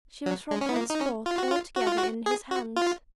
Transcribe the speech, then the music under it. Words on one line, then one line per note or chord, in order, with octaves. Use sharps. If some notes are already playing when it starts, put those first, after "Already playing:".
She was from henceforth altogether in his hands.
F#3
G#3
C#4
B3
A#3
D#4
C#4
F4
F#4
F4
F#4
F4
F#4
G#4
F#4
F4